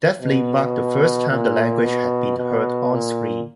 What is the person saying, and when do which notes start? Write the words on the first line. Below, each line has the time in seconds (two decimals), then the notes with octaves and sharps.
That film marked the first time the language had been heard on screen.
0.22 B2
1.30 A#2
1.84 B2
2.37 B2
2.92 A#2